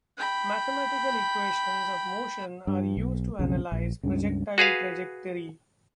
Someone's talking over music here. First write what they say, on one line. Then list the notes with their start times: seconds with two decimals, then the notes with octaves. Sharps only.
Mathematical equations of motion are used to analyze projectile trajectory.
0.18 G5 B5
2.67 G2
2.97 B1
3.39 B1 F2 C#3
3.72 A#1
4.03 C#2 G2 C#3
4.58 F#4 G#4 B4 F5